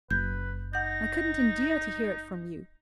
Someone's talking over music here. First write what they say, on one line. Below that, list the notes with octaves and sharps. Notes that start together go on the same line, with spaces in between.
I couldn't endure to hear it from you.
F#1 B4 G6
D#4 F#5 G6 A#6